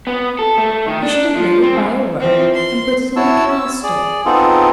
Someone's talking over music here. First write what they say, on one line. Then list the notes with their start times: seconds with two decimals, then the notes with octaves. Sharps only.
You should have led it by a rope, and put it in the cow-stall.'
0.07 B3
0.39 A4
0.58 A3
0.87 D#3
1.03 D4
1.36 F3
1.63 C4
1.75 G#2
2.20 E3 F3 C4
2.54 C6
3.16 E4 F#4 C#5 A5 E6
3.50 E6
3.83 G#4 D5
4.26 B3 C4 D#4 F4 G#4 A4